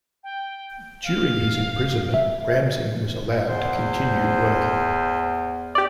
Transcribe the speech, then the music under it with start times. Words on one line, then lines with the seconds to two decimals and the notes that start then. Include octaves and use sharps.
During his imprisonment, Ramzin was allowed to continue working.
0.24 G5
1.04 F5
2.14 E5
3.48 E2 C5
5.75 G4 D5